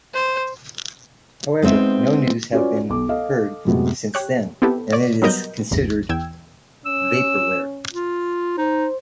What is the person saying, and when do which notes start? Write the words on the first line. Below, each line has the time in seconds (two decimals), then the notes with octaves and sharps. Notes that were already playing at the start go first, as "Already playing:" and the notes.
However, no news have been heard since then, and it is considered vaporware.
0.14 C5
1.62 G#3 B3 C4 D#4 E5
2.52 C#4 F4 F#4 B4 C#5 D5
2.89 B1 D6
3.09 A4 D#5 F5
3.65 F#2 A2 C3 F#3 G#3 B3
4.14 G4 C#5 F#6
4.62 B3 C4 E4 G4 A4 B4
4.92 C#5 D5
5.22 F#3 G3 B3 A#4 D#5 G6
5.71 A1 E2 G2 A#6
6.09 E2 G5 E6 G#6
6.85 C#4 E6
7.93 F4
8.58 D#4 C5